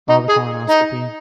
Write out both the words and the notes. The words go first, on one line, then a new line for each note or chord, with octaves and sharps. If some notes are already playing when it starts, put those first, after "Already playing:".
Oh, the colonoscopy.
D#4
G#4
D#4